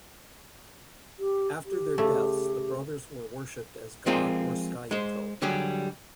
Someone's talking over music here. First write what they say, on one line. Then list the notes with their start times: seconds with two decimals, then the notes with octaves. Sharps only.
After their deaths the brothers were worshiped as god Wurskaito.
1.19 G4
1.65 G4
1.98 C#3 A3
4.06 F3 G#3 C4 F4 G#4 A#4
4.91 G#3 C5
5.42 D3 F#3 G3 G4 G#4